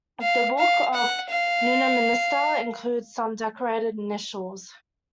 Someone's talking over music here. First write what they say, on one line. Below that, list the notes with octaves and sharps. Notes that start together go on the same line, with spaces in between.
The Book of Nunnaminster includes some Decorated initials.
F5
F5
F#5
F5